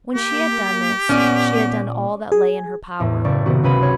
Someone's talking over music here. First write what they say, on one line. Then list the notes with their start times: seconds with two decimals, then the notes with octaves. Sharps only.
When she had done this, she had done all that lay in her power.
0.15 A#3 G4
1.09 A#2 B3 C#4 D5
2.32 G#4
3.00 E2 A2
3.24 F#1 D5 C#6
3.46 C3 D#3 B3 F#4
3.63 C#2 C3 C#4 B4 B5 D#7
3.82 C#5